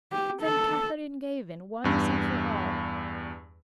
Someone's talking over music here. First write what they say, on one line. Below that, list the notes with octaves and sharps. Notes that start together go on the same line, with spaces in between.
Then Katharine gave in, once and for all.
G4
A4
E2 G2